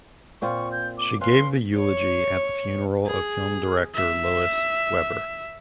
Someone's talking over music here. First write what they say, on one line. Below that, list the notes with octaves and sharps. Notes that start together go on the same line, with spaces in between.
She gave the eulogy at the funeral of film director Lois Weber.
A#2 C4 F4 C#6
G6
D6
C#4 B4 F5 C6
C#5
G#4
E5